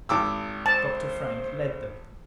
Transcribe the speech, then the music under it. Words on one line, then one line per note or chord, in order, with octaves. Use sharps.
Dr. Frank led them.
G#1 D6 E6
C5 A5